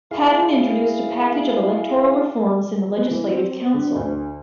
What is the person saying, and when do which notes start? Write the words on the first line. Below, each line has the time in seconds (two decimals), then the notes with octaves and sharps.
Patten introduced a package of electoral reforms in the Legislative Council.
0.11 E4 G#4 F5
2.97 B3
3.11 E3
3.32 C4
3.74 D3
3.96 D2